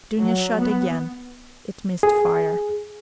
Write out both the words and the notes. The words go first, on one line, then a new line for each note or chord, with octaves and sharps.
Dounia shot again: it missed fire.
F#3
B3
G#4